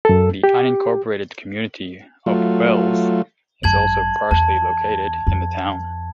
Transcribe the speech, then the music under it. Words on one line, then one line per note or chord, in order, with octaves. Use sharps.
The unincorporated community of Wells is also partially located in the town.
F#2 A4
G4
F#3 A3 F4
G#1 F#2 A5 G#6 F#7
E2 A5
F2